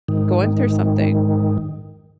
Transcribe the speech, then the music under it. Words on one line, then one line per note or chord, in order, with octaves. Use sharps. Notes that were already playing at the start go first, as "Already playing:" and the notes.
going through something.
G#2 D#3